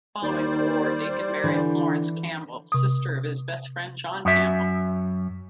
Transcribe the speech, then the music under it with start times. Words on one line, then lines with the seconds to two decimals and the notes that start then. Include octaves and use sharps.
Following the war, Deacon married Florence Campbell, sister of his best friend John Campbell.
0.23 D#2 G3 C5 D5
1.44 D3 E3
2.72 C3 D#6
4.25 F#2 E5